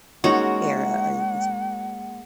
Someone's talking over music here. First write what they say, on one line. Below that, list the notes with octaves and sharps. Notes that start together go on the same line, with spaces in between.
era are you considered?
G#3 A#3 C#4 D#4 F#4 A#4 C#5 F#5